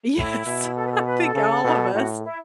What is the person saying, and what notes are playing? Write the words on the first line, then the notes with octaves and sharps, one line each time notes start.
Yes, I think all of us,
A2 E4
B2
A4
B4
A4
B4
A4
C#3
B2
A2 F#4
E4